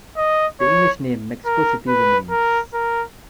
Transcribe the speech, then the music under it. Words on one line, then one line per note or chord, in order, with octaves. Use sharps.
The English name "Mexico City" remains.
D#5
C#5
A#4
B4
A#4
A#4